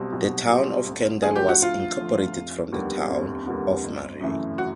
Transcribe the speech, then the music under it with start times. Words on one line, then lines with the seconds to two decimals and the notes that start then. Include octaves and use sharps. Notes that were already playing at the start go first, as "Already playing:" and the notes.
The Town of Kendall was incorporated from the Town of Murray.
Already playing: B1 B2 G3 C4
0.13 B1
0.51 B2 G3 C4
0.87 D2
1.22 D3 F3 A3 G#4
1.36 G4
1.49 F#4
1.62 D2 F4
1.98 D3 F3 A3
2.36 F1
2.72 D#2 D3 G3 B3
3.10 F1
3.47 D#2 D3 G3 B3
3.84 G1
4.21 F#2 C#3 E3 A3
4.58 F#4